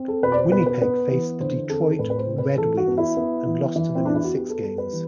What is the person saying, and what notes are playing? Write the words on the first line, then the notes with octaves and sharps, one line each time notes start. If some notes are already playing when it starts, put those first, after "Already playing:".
Winnipeg faced the Detroit Red Wings and lost to them in six games.
Already playing: C4
A4
B2 B4
D5
C5
B3 B4
B4
B3 B4
E3
D3 C5
C4 A4
A4
A2 B4
B4
C5
C4
B4
E3 A4
F#4
B3
E4
B3
E3
E3
C4
B3 D4
E4
F#4
B3 G4
A4
G3 A4
B4
E3